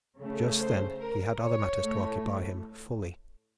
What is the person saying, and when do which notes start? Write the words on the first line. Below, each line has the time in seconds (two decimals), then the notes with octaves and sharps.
Just then he had other matters to occupy him--fully.
0.19 C#3 A3
0.60 C5
1.00 A#4
1.40 C#5
1.81 A2 A3